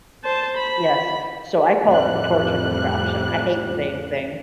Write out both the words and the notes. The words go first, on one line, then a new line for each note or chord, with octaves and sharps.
Yes, so I call it the torture contraption. I hate the dang thing,
C5 A5
B5
F2 A2 G3 F#6